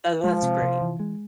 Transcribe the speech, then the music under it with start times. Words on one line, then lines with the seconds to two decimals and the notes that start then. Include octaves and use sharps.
Tha that's great.
0.24 F3 G#3
0.42 C3
0.62 C3
0.81 E3
1.00 G#3